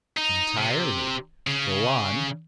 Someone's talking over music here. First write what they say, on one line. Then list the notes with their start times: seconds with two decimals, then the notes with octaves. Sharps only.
"Entirely; go on."
0.17 D#4
0.57 C3
1.47 C#3